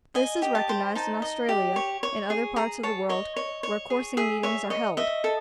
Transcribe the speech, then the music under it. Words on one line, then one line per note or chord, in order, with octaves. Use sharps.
This is recognised in Australia and other parts of the world where coursing meetings are held.
D#5 G#5
G4
A5
C5
D#4 A5
D#5
G4
C#5
C#5
G#4
G#4 A#5
C#5 A5
C#5 D#5
C#5
C#5
G#4
G#4 E5
C#5 E5
C#5 D#5
D#5 E5
A4